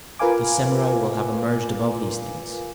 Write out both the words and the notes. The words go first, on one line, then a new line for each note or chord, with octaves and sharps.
The samurai will have emerged above these things.
F4 A#4 B4 F5 G#5 D6